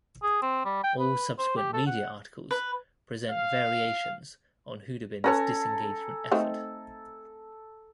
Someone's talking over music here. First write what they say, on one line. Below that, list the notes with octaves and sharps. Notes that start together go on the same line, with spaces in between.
All subsequent media articles present variations on Houdebine's disengagement effort.
G#4
C4
G3
G5
B4
C5
G4
A4
F#5
B4
F5
C#4 A4 B4 C#5 G#5 A#5
A3 C4 D#4